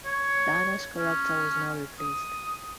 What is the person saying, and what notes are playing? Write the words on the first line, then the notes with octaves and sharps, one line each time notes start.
Dana's character was not replaced.
C#5
C#4
D#6